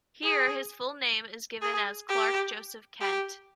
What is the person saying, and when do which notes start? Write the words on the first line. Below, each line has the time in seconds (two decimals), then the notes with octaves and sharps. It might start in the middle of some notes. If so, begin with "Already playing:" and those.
Here, his full name is given as Clark Joseph Kent.
0.23 G#4
1.62 G#4
2.08 G4
3.01 G4